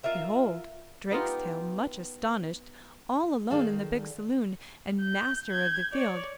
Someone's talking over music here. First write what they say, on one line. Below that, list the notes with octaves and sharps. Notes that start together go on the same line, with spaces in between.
Behold Drakestail much astonished, all alone in the big saloon and master of the field.
F4 A#4 E5 F5
B3 D#4 F4 G4
D#3 G#4 A4 D5 F5
G6
G6 G#6
C#5 D5